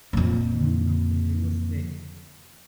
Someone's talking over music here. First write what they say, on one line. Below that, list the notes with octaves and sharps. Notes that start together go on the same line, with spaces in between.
Mhm, okay, what's that?
F2 A#2